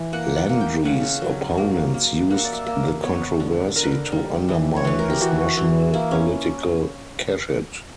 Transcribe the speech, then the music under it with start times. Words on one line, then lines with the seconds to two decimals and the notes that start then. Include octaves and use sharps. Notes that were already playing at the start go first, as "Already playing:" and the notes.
Landry's opponents used the controversy to undermine his national political cachet.
Already playing: E3
0.13 A#3 F#5
0.36 F#5
0.49 A#3
0.61 G5
0.85 C#3 F#5
1.22 F#3
1.58 A#3
1.94 A#3
2.30 A#3 F#5
2.38 E5
2.45 D5
2.53 E5
2.67 A#3
3.03 B3 C#5
3.40 D3
3.76 D3 A#4
3.83 B4
3.91 A#4
4.12 G3
4.49 E3
4.76 C#5
4.85 E3 B4
4.99 A#4
5.10 G4
5.21 E3 F#4
5.57 E3
5.94 A#3 E4
6.11 C#4